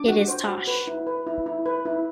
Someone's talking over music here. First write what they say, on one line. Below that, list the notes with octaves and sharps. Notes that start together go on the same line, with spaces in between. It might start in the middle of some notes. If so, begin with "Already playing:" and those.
It is Tosh.
Already playing: D4 D6
F#4
C5
F#4
B4
E4
B4
E4
E4
B4
E4